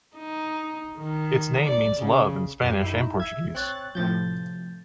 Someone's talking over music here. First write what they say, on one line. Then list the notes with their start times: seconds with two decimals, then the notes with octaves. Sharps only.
Its name means "love" in Spanish and Portuguese.
0.16 D#4
0.98 D#3
1.65 D5
2.00 C#3
2.62 F#2 G4 C7
2.83 D#4 E4
3.20 E5 G#6
3.54 C4 C#5 F#6 A6
3.95 A2 C3 F3 G6 A6